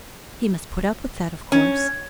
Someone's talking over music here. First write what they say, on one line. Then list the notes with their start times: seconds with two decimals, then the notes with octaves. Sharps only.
He must put up with that of course.
1.52 C#4